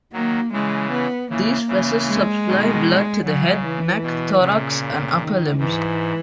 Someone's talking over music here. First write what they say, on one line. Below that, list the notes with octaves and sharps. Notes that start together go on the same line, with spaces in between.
These vessels supply blood to the head, neck, thorax and upper limbs.
D#3 F#3 A#3
C#3 E3 G#3
B3
C#3 E3 A#3
C#3 E3
G#3
B2 D#3
C#3 F#3
E3
B2
A#2 C#3
D#3
G#2 E3